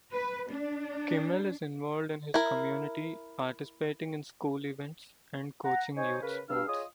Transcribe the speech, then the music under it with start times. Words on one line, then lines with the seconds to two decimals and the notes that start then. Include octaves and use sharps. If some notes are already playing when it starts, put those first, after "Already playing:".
Kimmel is involved in his community, participating in school events and coaching youth sports.
0.11 B4
0.50 D4
2.34 E4 A#4
5.64 F#5 A#5
5.96 D#4 C5 C#5 G#5
6.22 C#3 A#4 B4
6.49 G2 D4 F5 E6
6.68 F4 G#4 C#5 D#5 D#6